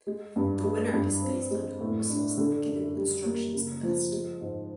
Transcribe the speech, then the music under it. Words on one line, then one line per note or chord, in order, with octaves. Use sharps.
The winner is based on who whistles the given instructions the best.
G#3
G2
G#3
G2
C4
G#3
A2
D4
D3
F#2
G3
A#3
C#3
F3
G#3
G#2